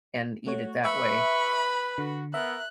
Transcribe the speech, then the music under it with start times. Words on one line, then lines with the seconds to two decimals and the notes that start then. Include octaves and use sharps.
and eat it that way.
0.47 A3 F#4 C#5
0.85 B4 E5 B5 C#6
1.98 D3 F#4
2.34 B3 A#4 E5 F#6